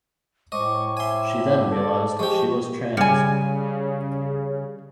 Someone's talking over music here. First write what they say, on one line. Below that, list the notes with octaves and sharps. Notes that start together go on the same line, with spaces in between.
She then realized she was trans.
A2 G#3 C5 D#5 C#6 D6
E5 G#5 C6
A4 D5
F3 G#3 G4 C#6
C#3 G3 G#5